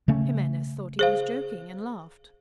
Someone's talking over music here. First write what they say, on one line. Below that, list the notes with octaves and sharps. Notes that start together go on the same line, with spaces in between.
Jimenez thought he was joking, and laughed.
C#3 A3 C#4
G#4 C5 F5